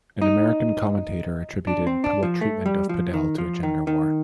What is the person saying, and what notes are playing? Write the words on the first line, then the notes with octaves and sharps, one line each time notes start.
An American commentator attributed public treatment of Padel to a gender war.
D#4
D4
C4
D4
F3
A3
G3
F3
D#3
F3
D#3
D#3